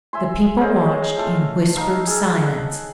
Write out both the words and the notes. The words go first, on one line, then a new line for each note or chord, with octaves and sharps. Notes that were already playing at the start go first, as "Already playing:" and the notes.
The people watched in whispered silence.
E5 G#5 C6
C#4 G#4 C5 D#5
A3 F4 A4
D#4 F5 E6
G#4 A4
F#5